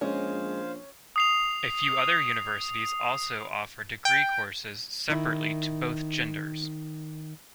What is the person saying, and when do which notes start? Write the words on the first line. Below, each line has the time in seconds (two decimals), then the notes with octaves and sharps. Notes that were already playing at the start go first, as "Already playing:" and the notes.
A few other universities also offer degree courses separately to both genders.
0.01 A#1 G#3 C#4 C5 F5
1.16 D#6 C7 F7
4.05 G5
5.09 D#3 E4